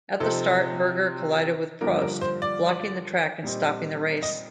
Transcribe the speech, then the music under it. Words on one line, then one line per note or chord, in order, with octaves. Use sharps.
At the start, Berger collided with Prost, blocking the track and stopping the race.
C3 F3 C4 D#4 A4
G2 D3 F3 A#3 D4 A#4
A#4
C5
D5
A#2 G3 C4 D#4
D#5